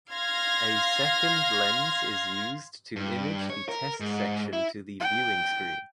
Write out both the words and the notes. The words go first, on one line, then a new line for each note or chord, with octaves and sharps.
A second lens is used to image the test section to the viewing screen.
F5 C6 F6 G#6 A#6
G2
C#5
A#4
G#2
E4
G5